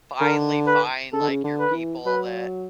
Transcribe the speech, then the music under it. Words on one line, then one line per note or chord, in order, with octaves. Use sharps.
finally find, like, your people that
D3 A#4
B4
C#3 A4
D3
C#3
D3
B4
D#3
E3
F#3 B4